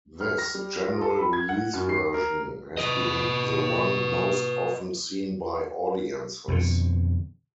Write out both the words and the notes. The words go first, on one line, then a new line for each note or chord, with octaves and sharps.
This general release version has been the one most often seen by audiences.
F6
A#6
G3
F4
A4
B5
G#6
F#5
F#2
C7
A#4
B4 D#5
F2 B2 D3